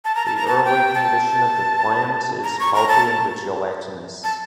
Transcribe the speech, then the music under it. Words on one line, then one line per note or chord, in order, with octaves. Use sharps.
The early condition of the plant is pulpy and gelatinous.
A5
A#5
A5
A#5
A5
G5
A5
A#5
C#6
A#5
A5
A5